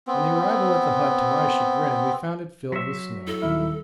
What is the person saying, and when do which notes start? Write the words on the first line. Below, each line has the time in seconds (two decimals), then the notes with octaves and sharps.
On the arrival at the hut to my chagrin we found it filled with snow.
0.07 B3 C4
2.72 F#3 E5 C6 A#6 B6
3.27 E4 A4 A#6
3.42 D#1 D#3 E4 F6